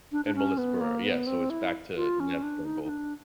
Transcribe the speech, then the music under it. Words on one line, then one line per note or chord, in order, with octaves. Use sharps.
And Melissa Barrera. Yeah, so, it's back to Neve Campbell.
D4
D4
C#4
B3
A#3
B3
C4
E4
F4
C#4
D4
D#4
D#4
D4